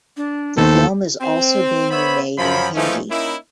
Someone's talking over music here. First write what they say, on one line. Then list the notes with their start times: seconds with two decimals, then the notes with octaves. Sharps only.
The film is also being remade in Hindi.
0.17 D4
0.58 D#2 B2 D#3 A4 C5
1.21 C4
1.90 B3 C5 C#5 E5 B5
2.38 F#2 F3 B5
2.75 E3 F3 G#3 A3 C#4 D#4
3.10 A#3 C#4 D#4 E4